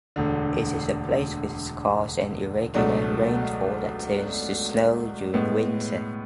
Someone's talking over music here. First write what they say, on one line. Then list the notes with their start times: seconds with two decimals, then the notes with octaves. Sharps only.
It is a place with scarce and irregular rainfall that turns to snow during winter.
0.16 E1 D2 D3
2.74 C#2 B2 F#3 A3 D4
5.33 A2 G#3 B3